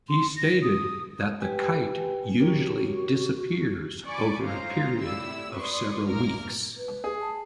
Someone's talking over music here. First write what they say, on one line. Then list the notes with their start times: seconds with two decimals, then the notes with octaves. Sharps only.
He stated that the kite usually disappears over a period of several weeks.
0.09 C6
0.37 A#6
0.62 D#6
1.41 G4 B4 G5 G#5
2.40 F#4 G4 A#4 C#5
4.06 D5 G#5 B5 C#6 D6
4.42 C#4 D#4 F4 C5 F5 A#5
5.02 A2 C3 G3 E4 E6
5.53 B4 D5 C6 C#6 D#6
6.07 A#1 E2 G2 A#3 A#4 F6
6.77 B4
7.04 G#4
7.21 A5